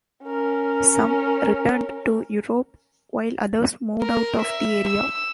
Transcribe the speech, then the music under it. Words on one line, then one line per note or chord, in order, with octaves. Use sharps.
Some returned to Europe while others moved out of the area.
C#4 A#4
A#4
E5
E6